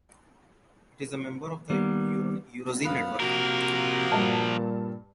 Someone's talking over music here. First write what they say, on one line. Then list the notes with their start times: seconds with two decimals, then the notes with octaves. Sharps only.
It is a member of the Eurozine network.
1.70 D#3 G3 A#3 B3
2.85 F#2 B3 F5
3.20 C3 F3 A#3 F#4 A#4
4.12 G2 A#2 A5